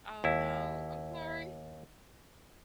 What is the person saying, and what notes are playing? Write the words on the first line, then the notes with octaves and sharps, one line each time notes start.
Oh, no, I'm sorry,
D#2 E4